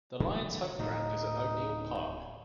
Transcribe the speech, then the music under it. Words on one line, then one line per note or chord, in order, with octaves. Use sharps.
The Lions' home-ground is at O'Neill Park.
D3 F3 G#3
D1 A2 D#4